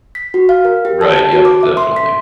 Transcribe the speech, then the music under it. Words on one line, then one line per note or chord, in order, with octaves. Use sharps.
Right, yep, definitely.
B6
F#4
F5
A#4
G4
A5
A5
F#4
D6
E5
C6
B6